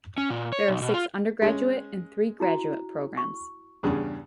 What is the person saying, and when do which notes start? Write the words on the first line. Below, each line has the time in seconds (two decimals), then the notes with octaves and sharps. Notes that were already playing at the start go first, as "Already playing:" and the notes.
There are six undergraduate and three graduate programs.
0.18 C#4
0.30 A#2
0.52 C#5
0.68 B1
0.82 B2
0.94 F4
1.42 G#3 C#4
2.40 E4 F#4 A#5
3.18 C#6
3.83 E2 G2 C#3